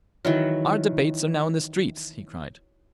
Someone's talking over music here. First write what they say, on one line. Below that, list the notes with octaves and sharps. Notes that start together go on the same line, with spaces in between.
"Our debates are now in the streets," he cried.
D#3 E3 F#3